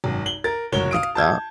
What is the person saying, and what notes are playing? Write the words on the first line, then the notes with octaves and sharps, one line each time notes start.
didn't think of that.
G#1 F#2
F#7 G7
A#4 A6
F#1 F#4 A#4 C#5 G7
F5 D#6 D7
A5 G6 G#6